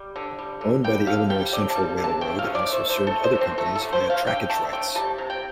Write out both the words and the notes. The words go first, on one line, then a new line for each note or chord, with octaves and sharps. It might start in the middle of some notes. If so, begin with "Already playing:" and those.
Owned by the Illinois Central Railroad, it also served other companies via trackage rights.
Already playing: G3
D3
G3
D3
G3 G5
D3 F5
G3 G5
D3 D5
A5
G3
D3
A5
A3 G5
F5
D3
D5
A3
C5
D3 C5
A4
A3
C5
D3
C4
A3 A4
A4
D3
C5
A3
F5
D3 G5
A3 A5
D3 G5
G3 A5
C3
G5